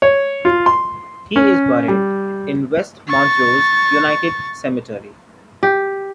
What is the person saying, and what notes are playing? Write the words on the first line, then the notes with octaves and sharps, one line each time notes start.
He is buried in West Montrose United Cemetery.
C#5
F4
C6
C#4
G3
C#6 A6
G4